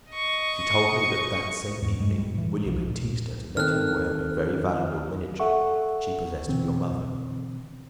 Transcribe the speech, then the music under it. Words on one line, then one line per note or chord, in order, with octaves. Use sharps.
She told me, that that same evening William had teased her to let him wear a very valuable miniature that she possessed of your mother.
D#5 C#6
E2 G#2
G2 G3 G#3
G3
A2 E3
B1 F3
A#2
D#3 C4 A4 F6 F#6
A4 E5 F#5 C#6
B2 D3 E3 C4